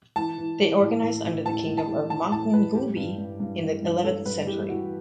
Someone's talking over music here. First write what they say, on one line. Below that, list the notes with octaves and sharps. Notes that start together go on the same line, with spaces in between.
They organized under the Kingdom of Mapungubwe in the eleventh century.
E3 A5
E3
E3
A2
A2
A2
A2 A5
A2
A5
E3
E3 A5
A2 A5
A2 B4
E3 G4
G2
G2
G2
E3
G2
G2 A4
G2 B4
E3 G4
E3 F#4